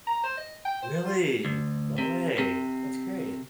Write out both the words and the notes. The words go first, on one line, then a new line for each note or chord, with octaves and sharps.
Really? No way. That's great.
A#5
C5
D#5
G5
C5
F4
D2
C3
C3